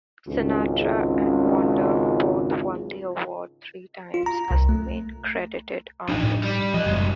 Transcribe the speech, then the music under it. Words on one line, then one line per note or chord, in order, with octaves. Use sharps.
Sinatra and Wonder both won the award three times as the main credited artist.
G#1 C#2
F4
A#5
C2
A3
A1 F3 D4 D#4
A2
G3
F3 A#3 D#5
F#1 B2 G3 G#3